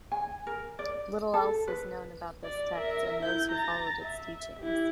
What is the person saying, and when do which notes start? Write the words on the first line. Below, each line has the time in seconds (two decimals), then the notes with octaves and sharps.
Little else is known about this text and those who followed its teachings.
0.12 G#5
0.47 A#4
0.79 D5
1.34 A4
1.68 B4
2.44 D5
2.75 A#4 E5
3.23 E4 G6
3.52 A#5 A6
4.01 E5
4.60 E4 G4